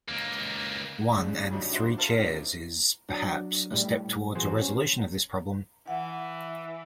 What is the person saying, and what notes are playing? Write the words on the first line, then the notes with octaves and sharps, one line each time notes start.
"One and Three Chairs" is, perhaps, a step towards a resolution of this problem.
C#2 A#3
D2 G#2 C#3
F2 F#3 G3 D4 D#4
D4 E4 F#4 C5 C6
A#4 C5 F5 A5
A2 C4 D4 D#4 F4
F#3 D4
A2 G3
E2 F#4 G#4 C5
C#4
E3 E5 F#5